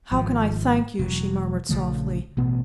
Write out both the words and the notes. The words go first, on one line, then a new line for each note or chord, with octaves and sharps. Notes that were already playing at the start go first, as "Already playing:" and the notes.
"How can I thank you?" she murmured, softly.
G#1 F3
E1 F#3
A#1 C#3 F3 A3
A1 B2 B3